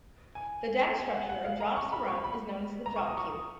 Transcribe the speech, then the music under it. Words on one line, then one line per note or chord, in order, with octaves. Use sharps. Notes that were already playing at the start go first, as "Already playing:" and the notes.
The data structure of jobs to run is known as the job queue.
G#5
G#5
F#5
F#5
F5
A#5
C#6
B5
C#6
B5
A#5
C#6
D#6
C#6